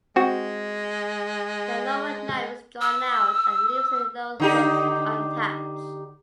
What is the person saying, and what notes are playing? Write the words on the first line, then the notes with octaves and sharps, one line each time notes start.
The lower knife is drawn out and leaves the lowered hooks untouched.
G#3 C4 F#4
E6
D3 D#4 G4